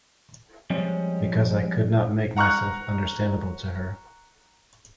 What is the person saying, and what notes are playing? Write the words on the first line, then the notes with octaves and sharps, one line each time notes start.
Because I could not make myself understandable to her.
F3 G3 G#3 C4 C#4
F#5 A#5 C#6 F6 F#6